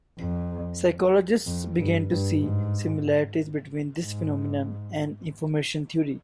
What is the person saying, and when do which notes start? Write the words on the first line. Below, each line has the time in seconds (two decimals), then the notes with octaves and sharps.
Psychologists began to see similarities between this phenomenon and Information Theory.
0.19 F2
1.46 F2
1.78 G2
2.10 G2
2.41 G#2
4.02 G#2